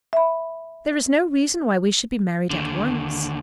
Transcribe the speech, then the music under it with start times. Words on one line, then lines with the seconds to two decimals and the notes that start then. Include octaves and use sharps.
"There is no reason why we should be married at once."
0.13 E5 B5
2.50 D#2 D3